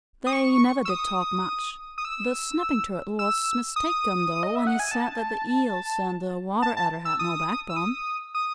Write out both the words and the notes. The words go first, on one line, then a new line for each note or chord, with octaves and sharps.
They never did talk much. The Snapping Turtle was mistaken though, when he said that the Eels and the Water-Adder had no backbone.
D#6
C#6
E6
D#6
D#6
E6
E6
D#6
D#5
E5
F#5
G#5
A5
A5
A5
E6
D#6
E6
D#6
D#6